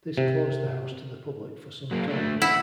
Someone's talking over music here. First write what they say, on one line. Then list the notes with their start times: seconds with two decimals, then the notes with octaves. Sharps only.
This closed the house to the public for some time.
0.17 C3
1.91 F#3 A#3
2.08 D3 A3
2.42 D#2 E4 F#5